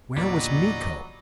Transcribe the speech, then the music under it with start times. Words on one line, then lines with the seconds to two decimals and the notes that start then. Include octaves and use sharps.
Where was Miko?
0.17 E2 A#2 D3 F#3 G3 D5 D#5